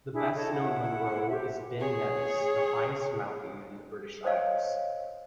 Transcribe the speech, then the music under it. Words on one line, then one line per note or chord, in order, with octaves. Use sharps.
The best known Munro is Ben Nevis, the highest mountain in the British Isles.
D4 E4 G#4
A4 C#5 D#5 A5
E4 F#5
G4 C5 E5
G#4 C#5
C5 C#5 D#5 F5